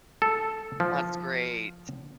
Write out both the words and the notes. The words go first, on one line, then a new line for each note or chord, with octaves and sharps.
That's great.
A4
F3